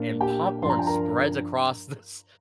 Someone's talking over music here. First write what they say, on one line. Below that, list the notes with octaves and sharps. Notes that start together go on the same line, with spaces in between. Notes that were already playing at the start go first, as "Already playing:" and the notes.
and popcorn spreads across this
Already playing: A#2 A#3 D4
G4 G5
G2 F3 D4 C6
A#5
G5
A#4 A#5